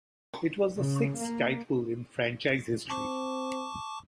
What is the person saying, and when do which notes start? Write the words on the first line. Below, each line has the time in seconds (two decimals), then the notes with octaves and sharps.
It was the sixth title in franchise history.
0.75 C#3
1.17 A#3
2.90 C4 A5 C#6 D6